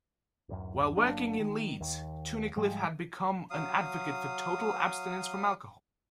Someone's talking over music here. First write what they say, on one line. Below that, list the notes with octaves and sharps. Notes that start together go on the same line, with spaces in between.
While working in Leeds, Tunnicliff had become an advocate for total abstinence from alcohol.
D1 F#2
G1 F#3 A#3 D4
D#3
D#2
G#2 F3 G3 G#3
F#3 F5 D#6